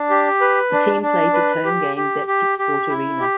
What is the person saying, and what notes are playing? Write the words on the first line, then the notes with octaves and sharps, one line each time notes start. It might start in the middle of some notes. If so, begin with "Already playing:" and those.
The team plays its home games at Tipsport Arena.
Already playing: D4
G4
B4
D4
D4
B4
G4
G4
G4
G4
E4
G4